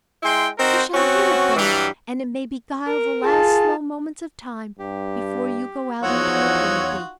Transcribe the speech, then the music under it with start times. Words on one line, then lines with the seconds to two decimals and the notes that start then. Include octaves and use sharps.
"You shall hear it, then, and it may beguile the last slow moments of time before you go out into eternity."
0.23 G#3 E4 G5 C6
0.58 C4 D#4 F#4 A#4 C5
0.94 C4 C#4 F#4
1.56 G2 E3 F#3 G3
2.86 A#4
3.23 F4 G#4 A5
4.79 G2 G4
6.03 E2 F3 D#4 F4 F#4 C#5 F#5 E6